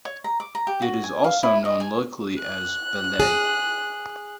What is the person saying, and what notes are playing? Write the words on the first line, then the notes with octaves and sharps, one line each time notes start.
It is also known locally as "Belait".
C#5
A#5
D6
A#5
G4
F#4
G#5
F5
E4
D#5
G#5
F#6
G#4